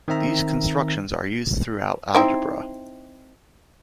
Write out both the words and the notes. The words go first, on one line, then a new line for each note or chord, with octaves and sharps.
These constructions are used throughout algebra.
D#3 C4 E5 A#5
C4 D#4 E4